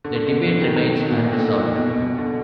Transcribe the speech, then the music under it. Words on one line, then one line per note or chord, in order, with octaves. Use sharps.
The debate remains unresolved.
D3
D3
B2
B2
D3
D#3
F#3
D#3
B2
A#2
B2
D3
B2
B2
B2
D3